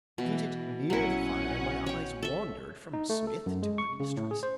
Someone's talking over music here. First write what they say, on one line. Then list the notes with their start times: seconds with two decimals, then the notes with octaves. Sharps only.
Seated near the fire, my eyes wandered from Smith to my mistress.
0.18 B2 E3
0.90 A#1 F#3 C#4 E4 F#5
1.86 C#5 G5
2.23 A4 E5
2.93 D#4
3.10 A3
3.27 A4
3.46 F#2
3.63 G#3
3.78 C#6
4.00 C#3
4.17 A2
4.31 G#4
4.43 C5